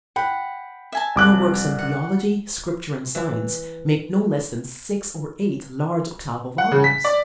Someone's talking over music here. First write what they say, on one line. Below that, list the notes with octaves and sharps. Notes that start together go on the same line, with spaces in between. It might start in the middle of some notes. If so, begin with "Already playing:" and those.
Her works on theology, Scripture and science make no less than six or eight large octavo volumes.
F#5 G5 B5
E5 G#5 A5
C2 D6 F#6
F#5
E3
F#5
C#3
B6
D5